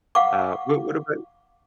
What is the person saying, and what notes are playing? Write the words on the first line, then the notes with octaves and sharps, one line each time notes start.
Uh, but what about
F5 F#5 C#6 D6